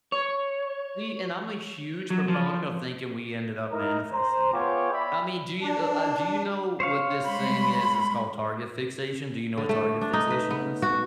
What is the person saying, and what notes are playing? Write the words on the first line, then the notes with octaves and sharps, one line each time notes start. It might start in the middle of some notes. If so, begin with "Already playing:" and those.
See, and I'm a huge proponent of thinking we ended up manifesting it. I mean, do you uh, do you know what this thing is? It's called target fixation. Do you know what target fixation is?
C#5
F#3
F3
D#4 E4 A#4
C5 A#5
B3 F4 G#4 C#5 G5 D6
D5 E5 G5 B5
D4
C5 C#5 F5
G3 G#3 B5 C6
D3
A3
D4
D#4
B4
B3
F#4